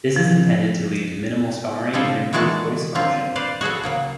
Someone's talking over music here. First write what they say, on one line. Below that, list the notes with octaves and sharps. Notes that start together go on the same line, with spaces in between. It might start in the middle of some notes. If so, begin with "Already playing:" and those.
This is intended to lead to minimal scarring and improved voice function.
F3
D3 G3 F4 G#4 A4 C5
D#3 E3 G#3 F#4 D5 A5
D3 F#3 A#3 C4 F4
B4 C5 D5 F5
F#4 G#4 A4 B4
C#3 F#3 A#3